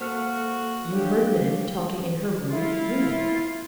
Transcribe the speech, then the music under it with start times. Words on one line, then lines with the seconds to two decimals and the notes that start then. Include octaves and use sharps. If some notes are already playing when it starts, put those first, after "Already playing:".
"You heard men talking in her room--when?"
0.01 A#3 F#4 A4 C5 F#5 F6 C#7
0.93 D4 G4 C#5 F5
2.51 E4 F4